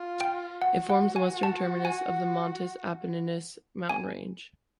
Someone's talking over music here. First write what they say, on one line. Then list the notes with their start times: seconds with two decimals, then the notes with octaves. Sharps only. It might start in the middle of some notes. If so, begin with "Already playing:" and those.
It forms the western terminus of the Montes Apenninus mountain range.
Already playing: F4
0.21 G5
0.61 F#4 F#5
0.90 F#5
1.16 G#5
1.43 A5
1.85 G#5
3.89 G#5